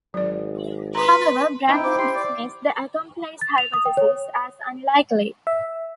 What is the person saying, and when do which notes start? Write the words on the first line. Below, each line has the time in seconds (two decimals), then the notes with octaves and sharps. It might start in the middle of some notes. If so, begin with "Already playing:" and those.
However, Brandon dismissed the accomplice hypothesis as unlikely.
0.14 G#1 F#3 D5
0.95 B4 A#5 C6
1.69 C4 D#4 E4 G5
1.84 C5 D6
1.99 G4 C6
2.15 D5
3.41 A6
3.58 F7
3.74 D#6
3.86 G5
3.97 C#5
5.47 E5